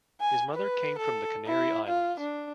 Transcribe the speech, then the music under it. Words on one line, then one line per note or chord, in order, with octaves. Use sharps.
His mother came from the Canary Islands.
G#5
B4
A4
E4
F4
D4